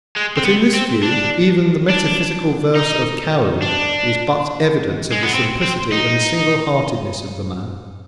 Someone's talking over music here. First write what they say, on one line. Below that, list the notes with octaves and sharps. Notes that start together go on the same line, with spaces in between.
But in this view even the "metaphysical verse" of Cowley is but evidence of the simplicity and single-heartedness of the man.
G#3
C4
B3
C4
D4
D4
D#4
D4
G#3
B3
C4
C4
D#4